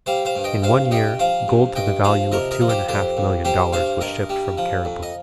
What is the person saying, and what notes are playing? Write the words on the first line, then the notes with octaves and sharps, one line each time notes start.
In one year gold to the value of two and a half million dollars was shipped from Cariboo.
G3 C5 F5
C5 F5
G2
D#5 G5
G2 C5 F5
G3 D#5 G5
F3 C5 F5
G2
G2 D#5 G5
F3 C5 F5
C3 A#4 D#5
A#4 D#5
F3
G4 C5
F2 G4 C5
F2
G3 G4 C5
G2 C5 F5
G2 A#4 D#5
G3
F3
F2
D#5